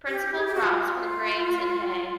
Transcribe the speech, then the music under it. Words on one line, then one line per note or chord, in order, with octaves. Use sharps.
Principal crops were grains and hay.
G4
G#4
G4
F#4
F4